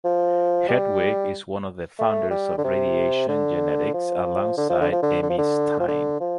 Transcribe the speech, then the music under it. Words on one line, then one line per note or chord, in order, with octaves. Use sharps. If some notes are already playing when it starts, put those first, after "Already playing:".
Hertwig is one of the founders of radiation genetics alongside Emmy Stein.
F3
G3
A3
G3
D3
C3
D3
F3
D3
F3
D3
F3
D3
D3
F3
D3
F3
D3
F3